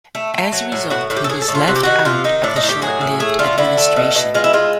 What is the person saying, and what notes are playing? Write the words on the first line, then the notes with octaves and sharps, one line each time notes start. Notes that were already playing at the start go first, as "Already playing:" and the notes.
As a result, he was left out of the short-lived administration.
A3
A3
F#3
A2
A2 F#4
A2
G4
A4
A2 G#4
A4
A2
F4
C3 F#4
G4
D#3 F#4
C3 F4
D#3 D#4
A2 D4
D#4
A2
G4
F#3 G#4
A2
A3 G#4
D3 F4
D3 E4
A3
B2
B2
G#3 F4
E4
G#3 F4